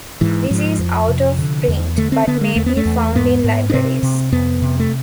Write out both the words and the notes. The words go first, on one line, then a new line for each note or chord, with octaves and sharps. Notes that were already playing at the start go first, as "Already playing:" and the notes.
This is out of print but may be found in libraries.
G#2 E3
G#2 F3
F2
C3
D3
E2
D3 A3
C4
D3 B3
G#3
E2 A3
B3
A3
E2
G#2 B3
G#2
D4
C3 C4
C3
F2 B3
C3
A3